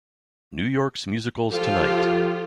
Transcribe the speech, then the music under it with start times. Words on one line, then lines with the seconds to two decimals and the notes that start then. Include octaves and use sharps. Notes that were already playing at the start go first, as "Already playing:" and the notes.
New York's Musicals Tonight!
1.51 F3 F4 G4 A4